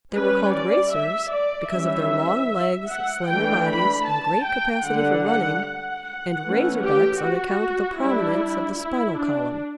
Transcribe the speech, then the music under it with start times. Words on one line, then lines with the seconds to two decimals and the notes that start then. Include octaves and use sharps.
They were called "racers" because of their long legs, slender bodies, and great capacity for running; and "Razor Backs" on account of the prominence of the spinal column.
0.15 G3 C#4 B4
0.54 D5
0.93 E5
1.33 D5
1.72 E3 G3 C#4 E5
2.90 F#5
3.29 E3 A3 D4 G5
3.68 B5
4.08 A5
4.46 G5
4.86 D3 G3 D4 F#5
5.26 F#5
5.64 F#5
6.44 E3 A3 C#4
6.83 G4
7.22 F#4
8.00 G3 D4 E4
8.79 E4
9.18 D4